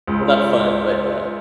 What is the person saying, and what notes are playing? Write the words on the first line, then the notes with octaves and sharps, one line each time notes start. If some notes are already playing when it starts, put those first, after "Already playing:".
Well, not fun, but, uh,
C#2